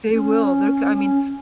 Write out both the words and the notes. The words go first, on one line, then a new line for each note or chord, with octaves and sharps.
They will, they're c I mean,
C#4
C#4